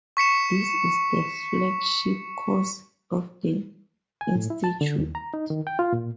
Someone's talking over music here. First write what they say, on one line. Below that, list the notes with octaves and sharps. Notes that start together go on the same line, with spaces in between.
This is the flagship course of the institute.
C#6 B6 C#7 E7
G#5
A2
E4
A5
D3
D#2
A#5
D#4
D#3
G5
F4
A#2